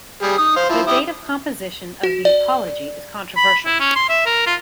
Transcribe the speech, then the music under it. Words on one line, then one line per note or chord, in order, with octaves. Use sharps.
The date of composition of the "Apology" is controversial.
G3 G#4
D#4 D#6
C5 F5
F3 E4
E4 G4 D#6
F#4
D5
B5
E4
C#4
C6
E5
A#4
F4